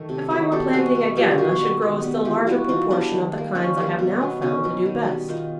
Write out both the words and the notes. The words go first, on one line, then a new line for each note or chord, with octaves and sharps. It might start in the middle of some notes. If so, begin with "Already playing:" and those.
If I were planting again I should grow a still larger proportion of the kinds I have now found to do best.
Already playing: D#3 A3
C3
D#3 F#3 A3
B2 G4 A4
G3 B3 F#4 G#4
B2
G3 B3 F4 G4
G4
D#3 F#4 G#4
G3 B3
D#3
G3 B3
E3 F4 G4
G3 B3 E4 F#4
E3 D#4 F4
G3 B3 D4 E4
D#3
G3 A#3
D#3 C#4 D#4
G3 A#3
B2
F#3 B3
B2 C#4 D#4
F#3 B3
D#3
G3 B3
D#3 D#4 F4